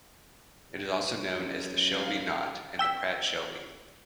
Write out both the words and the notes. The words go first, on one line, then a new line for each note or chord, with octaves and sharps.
It is also known as the Shelby knot and the Pratt-Shelby.
F#2
F5
G5 E6 B6